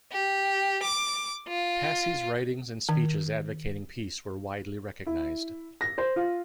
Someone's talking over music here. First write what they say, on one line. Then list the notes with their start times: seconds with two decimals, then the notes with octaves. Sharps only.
Passy's writings and speeches advocating peace were widely recognized.
0.12 G4
0.83 D6
1.48 F4
2.89 D#3
5.06 E4
5.81 A#6
5.98 C5
6.16 F4